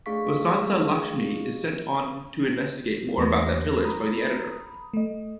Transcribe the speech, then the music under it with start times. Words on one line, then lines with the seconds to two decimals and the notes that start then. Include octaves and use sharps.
Vasantha Lakshmi is sent on to investigate more about that village by the editor.
0.06 A3 D4 G#4 F5 C#6 B6
3.18 E2 A3 A#3 A#6
3.85 A#5 B5 D#6
4.93 A3 D#5